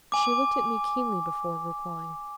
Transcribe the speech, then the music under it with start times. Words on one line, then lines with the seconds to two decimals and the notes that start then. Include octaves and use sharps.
She looked at me keenly before replying.
0.12 G#5 D6